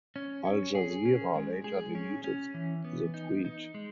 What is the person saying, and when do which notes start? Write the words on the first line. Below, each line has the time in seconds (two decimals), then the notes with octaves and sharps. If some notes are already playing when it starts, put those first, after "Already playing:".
Al Jazeera later deleted the tweet.
0.16 C#4
0.45 C#4
0.75 G#4
1.05 C#4
1.35 G#3
1.64 G#4
1.95 C#4
2.24 C#4
2.54 E3
2.85 B3
3.14 D#4
3.45 D#4
3.74 G#3